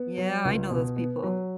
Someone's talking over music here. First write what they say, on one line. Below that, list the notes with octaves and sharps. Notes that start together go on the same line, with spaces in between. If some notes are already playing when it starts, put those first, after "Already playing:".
Yeah, I know those people.
Already playing: B3
F#3
C#2
B2
B3
F#3